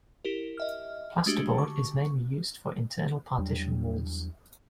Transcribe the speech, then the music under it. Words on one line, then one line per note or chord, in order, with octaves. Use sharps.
Plasterboard is mainly used for internal partition walls.
E4 G4 A#4
D#5 E5 F6
G#3 A3 D4 F#4 G4
D3 C#6
E2 F#3 G3 D4